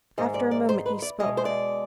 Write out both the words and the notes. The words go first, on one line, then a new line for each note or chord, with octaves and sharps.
After a moment he spoke.
G#2 D#3 G#3 D#5
D5
D5
C5
B4
D5
B2 G#3 D#5
C5
D5